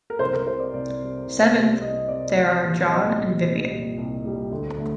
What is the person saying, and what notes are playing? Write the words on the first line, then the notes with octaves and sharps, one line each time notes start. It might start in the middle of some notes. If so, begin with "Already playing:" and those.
Seventh, there are John and Vivian.
A#4
C2 C5
A#4
C3 G3 C5
D5
C2 D5
C3 G3
C2
C3 G3
C2 D#5
C3 G3 D5
C2
A#2 G3
C2 D#5
A#2 G3
C2
A#2 G3
C2
A#2 G3
D2
D3 A3